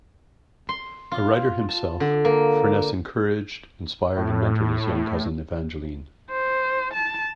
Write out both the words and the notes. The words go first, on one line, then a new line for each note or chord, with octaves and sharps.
A writer himself, Furness encouraged, inspired and mentored his young cousin Evangeline.
C6
F4
A5
D3
A#3
A2
C5
A5